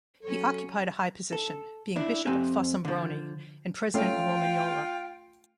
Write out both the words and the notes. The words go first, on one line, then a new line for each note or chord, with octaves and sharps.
He occupied a high position, being bishop of Fossombrone and president of Romagnola.
F#3 C#4 A4 C#5
A4
D4 E4
F2 C4 G4 G#5
D3 F3
A3 C#4 F4 G5